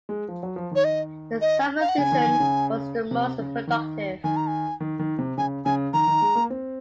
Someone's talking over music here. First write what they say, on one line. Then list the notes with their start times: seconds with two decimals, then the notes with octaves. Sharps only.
The summer season was the most productive.
0.09 G#3
0.29 F3
0.43 F#3
0.56 F3
0.71 D#3 C#5
0.84 D#5
1.41 D#5
1.81 F5
1.89 F#5
1.98 C#3 G#5
2.12 D#3
2.26 D#3
2.40 C#3
3.11 C3
3.39 C#3
3.67 D#3
4.24 D#3 G#5
4.36 A#5
4.47 G#5
4.80 D#3
4.99 D#3
5.19 C3
5.38 C#3 G#5
5.65 C#3 G#5
5.93 D#3 A#5
6.07 D#3
6.22 G#3
6.35 A#3
6.50 C4